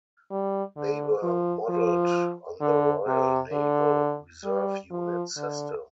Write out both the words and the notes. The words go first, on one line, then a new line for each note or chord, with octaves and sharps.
They were modelled on the Royal Naval Reserve unit system.
G3
D3
F3
F3
D3
C3
D3
G3
F3
D3